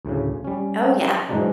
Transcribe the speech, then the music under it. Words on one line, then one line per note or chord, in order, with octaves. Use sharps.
Oh, yeah.
D2 A2 C#3
G3 C#4
G#2 E3 F#3 G#3 D4 D#4